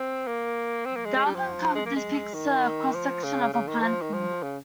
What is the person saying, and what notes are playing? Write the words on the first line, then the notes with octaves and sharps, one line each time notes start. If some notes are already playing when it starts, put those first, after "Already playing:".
The album cover depicts a cross section of a pineapple.
Already playing: C4
A#3
C4
A#3
G#3
G#3
G3
F3
G#3
A#3
G#3
D#3
F3
C#3
C#3
D#3
F3
D#3
F3
C#3